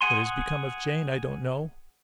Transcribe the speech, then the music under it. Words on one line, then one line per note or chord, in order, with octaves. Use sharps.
What has become of Jane I don't know.
G#4 F#5 G#5 C6